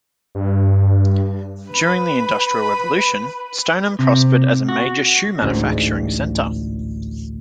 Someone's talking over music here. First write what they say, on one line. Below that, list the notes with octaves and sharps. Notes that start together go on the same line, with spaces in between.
During the Industrial Revolution, Stoneham prospered as a major shoe-manufacturing center.
G2
B4 B5
C3
F#4
A1 D2 G#2